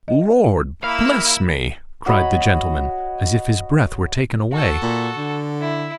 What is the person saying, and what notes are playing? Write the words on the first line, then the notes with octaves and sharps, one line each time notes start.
"Lord bless me!" cried the gentleman, as if his breath were taken away.
D#5
A#3 E4 F5 B5 E6
F#4 C#5 D#5 B5
F#4 A4
A#2
D3
E4